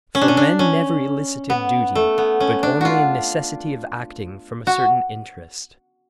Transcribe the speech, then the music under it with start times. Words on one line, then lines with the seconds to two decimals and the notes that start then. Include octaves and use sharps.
For men never elicited duty, but only a necessity of acting from a certain interest.
0.15 C#4
0.21 D4
0.28 C#4
0.37 D4
0.59 C#4
1.50 B3
1.95 A3
2.18 B3
2.40 C#4
2.63 D4
2.81 F4 F#4
4.67 F#4